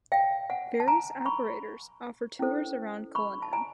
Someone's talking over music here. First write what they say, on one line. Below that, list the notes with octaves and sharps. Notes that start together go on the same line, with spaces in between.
Various operators offer tours around Cullinan.
F5 G5
F#5 G#5
A5
G#5 A#5
B5 C#6
C#4 E4 A4 C5
B5 C#6
A5
G#5 A#5